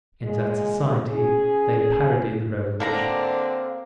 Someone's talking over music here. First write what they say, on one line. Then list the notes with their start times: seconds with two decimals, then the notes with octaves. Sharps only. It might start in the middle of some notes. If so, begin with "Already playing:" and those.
In that society, they parodied the Revolution.
0.22 A#2 G#3
1.10 C#4 G#4
2.80 D3 A#3 C4 A#4 D5 A#5